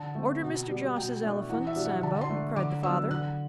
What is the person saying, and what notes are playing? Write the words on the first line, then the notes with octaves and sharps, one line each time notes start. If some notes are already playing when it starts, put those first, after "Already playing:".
"Order Mr. Jos's elephant, Sambo!" cried the father.
Already playing: D3 A5
A3 C4
B2
G3 B3
B2 G5
A3 D4
E2 F#5
E5
B2 G3 D4
F#5
D3 A5
C6
A3 D4
D3 D6
F#3 B3 D4 E6
D3 F#6